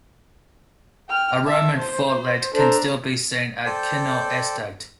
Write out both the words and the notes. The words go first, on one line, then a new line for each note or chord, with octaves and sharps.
A Roman fortlet can still be seen at Kinneil Estate.
G5 F6
E5 A5
C5
D4 A4 C5 A#5
A4 C5 D5 G5